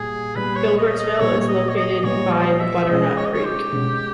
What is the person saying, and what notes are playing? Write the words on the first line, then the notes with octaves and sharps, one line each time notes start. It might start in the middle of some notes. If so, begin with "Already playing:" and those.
Gilbertsville is located by the Butternut Creek.
Already playing: A#2 G3 G#4
A#2 G3 B3 B4
C#5
D#5
D#5
A#2 G3 B3 C#5
C#5
D#5
C#5
D#5
A#2 G3 B3 C#5
D#5
E5
B2 G#3 C#4 D#5
C#5
D#5
C#5
G4
B2 G#3 C#4